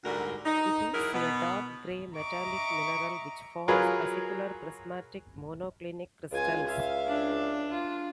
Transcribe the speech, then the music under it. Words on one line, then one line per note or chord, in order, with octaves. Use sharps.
It is a dark grey metallic mineral which forms acicular prismatic monoclinic crystals.
D2 G#2 D3 G3 F#4 A#4
D#4
F#3 E4 G#4 A#4
B2 B3
D#5 E5 A#5 C#6 D6
F#3 F4 G#4 A#4 B4 C#5
C#2 F4 G#5
E5 F5
D4
F4